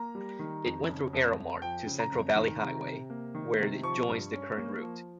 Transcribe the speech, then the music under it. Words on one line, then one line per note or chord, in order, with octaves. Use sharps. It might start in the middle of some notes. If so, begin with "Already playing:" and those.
It went through Earilmart to Central Valley Highway, where it joins the current route.
Already playing: A#3 A#5
G3
D#3
F2
C#3
F2
F2
F3 G5
C#3
A#5
F2
D#3
C3
C3
A#3
D#3
C3
F3 C#6
G2
C#4
A#3
F3